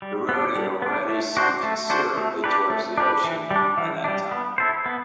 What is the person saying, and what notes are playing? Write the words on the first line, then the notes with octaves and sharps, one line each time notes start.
The road had already sunk considerably towards the ocean by that time.
G3
B3 D4
G3
B3 D4
A3
D4 F#4 C5
A3
D4 F#4 C5
A3
D4 G4 B4
A3
D4 G4 B4
E3
G3
D4
E3
G3 D4
B3
E4 A4 C5
B3